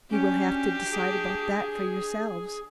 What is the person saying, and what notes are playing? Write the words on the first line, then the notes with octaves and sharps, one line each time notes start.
You will have to decide about that for yourselves.
C#4 D4 F#4 G4
G#4